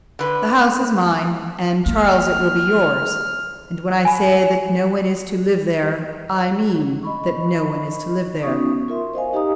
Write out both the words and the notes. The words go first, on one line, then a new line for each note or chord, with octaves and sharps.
The house is mine--and, Charles, it will be yours--and when I say that no one is to live there, I mean that no one is to live there.
D3 B4
A#3 F6
G#5 B5
D#5 B5 C#6
B3 C#4 D#4 F#4 C#6 D#6
F4 A#4 E5 C6
C5 D#5 F5 G#5
D#4 G4 D#5 F5 A#5 D#6